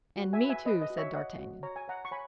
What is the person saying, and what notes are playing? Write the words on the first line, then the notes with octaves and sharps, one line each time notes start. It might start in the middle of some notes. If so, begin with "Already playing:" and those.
"And me, too!" said d'Artagnan.
F#4
E5 G#5
B4
E5 G#5
B4 D#5
D#5
F#4
C#5 E5
C#5 D#5 F#5
F#4
C#5 A#5
G#5
C#5 F#5 A#5
C#6
C#5 G#5 B5